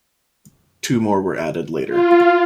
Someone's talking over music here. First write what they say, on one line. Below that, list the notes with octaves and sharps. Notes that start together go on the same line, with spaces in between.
Two more were added later.
F4